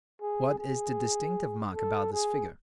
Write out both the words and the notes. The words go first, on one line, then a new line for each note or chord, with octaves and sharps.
What is the distinctive mark about this figure?
G#4
G#4
A4
G#4